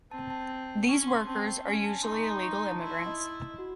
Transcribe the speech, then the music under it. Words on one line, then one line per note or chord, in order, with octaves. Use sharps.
These workers are usually illegal immigrants.
C4 A5
A5
C#4 C#6
C6
C4 A5
C#4 G#5
A5
D#4 C6
C#6
C6
C6
C#6
A5
E4 C6
C6
D#5
F#4